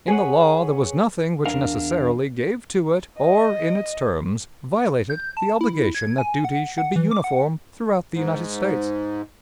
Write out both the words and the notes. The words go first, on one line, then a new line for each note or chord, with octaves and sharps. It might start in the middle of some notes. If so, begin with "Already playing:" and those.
In the law there was nothing which necessarily gave to it or in its terms violated the obligation that duties should be uniform throughout the United States.
G#4 B4 C#5 F#5
E2 D4 A#4 F5
D#5
G6
A5
E4
G#6
G#5
F#5
F#5
E3
D6
F#5
G#2